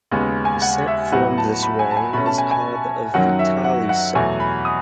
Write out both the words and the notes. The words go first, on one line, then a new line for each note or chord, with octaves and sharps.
A set formed this way is called a Vitali set.
D#2 C#3 G#3 B3
G#5
F#5
E5
A2 F#3 B3 F#5
A5
B5
G#5
A5
G#5
B2 A3 C#4 B5
A5
G#5
G#5
F#2 D#3 F#3 C#4 F#5
E5
F#5
F#5
E2 B2 F#3 A3 G#5
B5
D#6